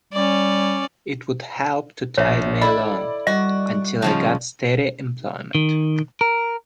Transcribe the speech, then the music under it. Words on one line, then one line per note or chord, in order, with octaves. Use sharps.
It would help to tide me along until I got steady employment.
G3 C#4 D5
A#1 C#5 E5
E4 A4 D5 D#5 B5
G3 F#4 D#5
C#3 F3 G#3 A5
D#3
A#4